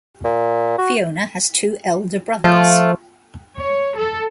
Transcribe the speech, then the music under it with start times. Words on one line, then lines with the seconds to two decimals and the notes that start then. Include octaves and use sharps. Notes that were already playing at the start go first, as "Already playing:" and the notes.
Fiona has two elder brothers.
0.24 A#2
0.78 F#4
2.44 F3 A3 F4
3.57 C#5
3.97 A4